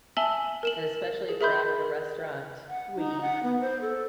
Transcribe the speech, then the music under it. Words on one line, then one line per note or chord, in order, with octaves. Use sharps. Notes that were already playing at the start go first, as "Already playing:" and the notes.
And especially if we're out at a restaurant, we
E5 G#5 A5 E6 F#7 G7
A#4 E7 F#7
G#4
G#4 A#4 E5 B5 C6 G6
F#5
D#4
F#5
B3
C5
A4